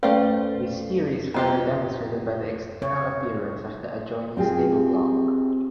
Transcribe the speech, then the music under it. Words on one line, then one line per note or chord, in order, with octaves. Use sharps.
This theory is further demonstrated by the external appearance of the adjoining stable block.
A3 C#4 B4 C5 D5 F5
B3 F4 G4 D#5 A#5
C#5
C4 F4 G4 G#4